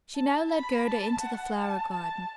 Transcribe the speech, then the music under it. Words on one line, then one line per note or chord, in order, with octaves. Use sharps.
She now led Gerda into the flower-garden.
A5
B5
A5
F#5
A5
A5